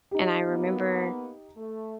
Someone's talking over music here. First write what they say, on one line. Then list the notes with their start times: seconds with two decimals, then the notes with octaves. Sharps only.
and I remember,
0.11 D#4 G4
0.48 A#3 B3
1.57 A3